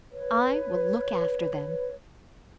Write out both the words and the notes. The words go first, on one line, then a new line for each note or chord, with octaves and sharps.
"I will look after them."
B4 C#5